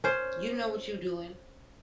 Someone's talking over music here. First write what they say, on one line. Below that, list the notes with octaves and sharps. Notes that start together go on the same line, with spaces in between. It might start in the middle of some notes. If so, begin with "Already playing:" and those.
You know what you doing.
C#4 C5